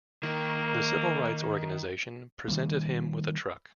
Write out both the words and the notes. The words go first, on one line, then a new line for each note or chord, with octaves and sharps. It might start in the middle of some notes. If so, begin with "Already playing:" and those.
The civil rights organization presented him with a truck.
D#3 A#3
D#3 G3 A#3